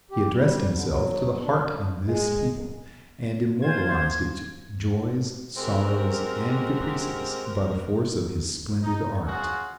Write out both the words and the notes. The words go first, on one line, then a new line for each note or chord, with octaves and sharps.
He addressed himself to the heart of this people and immortalized its joys, sorrows and caprices by the force of his splendid art.
G4
G3
D3
F#3
D4
G#3
F4 C5 G#6
G#3 C4 F#4 G4 A#4
D#4
C#4 F4 F#4 G#4